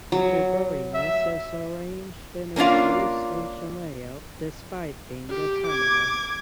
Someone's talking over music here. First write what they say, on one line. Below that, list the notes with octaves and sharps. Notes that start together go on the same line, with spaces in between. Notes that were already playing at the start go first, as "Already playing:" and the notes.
Shoeburyness is arranged in a through-station layout despite being a terminus.
F#3
E5
A#3 C#4 D4 F4 F5
G4
D6 G#6